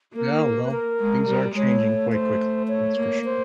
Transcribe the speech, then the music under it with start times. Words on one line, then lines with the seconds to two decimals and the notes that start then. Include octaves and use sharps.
Yeah, well, things are changing quite quickly, that's for sure.
0.15 A#3 A#4
0.64 B4
0.71 A#4
1.01 G#3
1.28 G3
1.56 G#3 C#5
1.84 A3
2.12 C5
2.68 C#5
2.97 A#3
3.25 C5